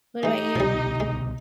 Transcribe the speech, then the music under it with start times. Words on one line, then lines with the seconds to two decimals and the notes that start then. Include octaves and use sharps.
What about you?
0.23 E3 G#3 D#4 G4 D#5
0.56 C2 B2 D3 F3 G3
1.00 G#3